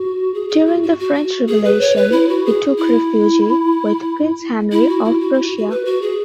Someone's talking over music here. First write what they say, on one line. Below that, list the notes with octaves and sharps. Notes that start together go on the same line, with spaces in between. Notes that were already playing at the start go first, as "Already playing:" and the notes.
During the French Revolution he took refuge with Prince Henry of Prussia.
Already playing: F#4
G#4
G#4
F#4
F#4
F#4
F#4
G#4
B4
C#5
B4
E4
F#4
G#4
E4
E4
F#4
E4
F#4
E4
F#4
F#4
B4
F#4
G#4